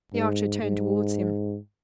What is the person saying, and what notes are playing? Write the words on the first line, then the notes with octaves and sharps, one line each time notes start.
The archer turned towards him.
G#2
G#2